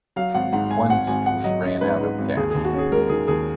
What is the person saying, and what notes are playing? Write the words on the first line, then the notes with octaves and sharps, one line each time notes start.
Once we ran out of cash.
F#3 F5
G#1 F#5
G#2 F#5
G#2 G#5
G#1 F#5
G#1 G#5
G#1 F#5
F#3 D#5
C#4 D#5
G#2 B4
G#2
G#1
D#2 G#4
D#2 G#4
F#4
C#4
G#4
G#3 A#4
D#3 G#4
D#2 G#4